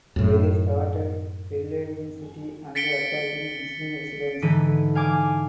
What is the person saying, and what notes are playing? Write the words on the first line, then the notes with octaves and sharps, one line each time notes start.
They started pillaging city and attacking Muslim residents.
F#2 A2
A6 B6 C#7 D7 G7
G#2 D3 E3 B6 D#7
F5 G#5 D6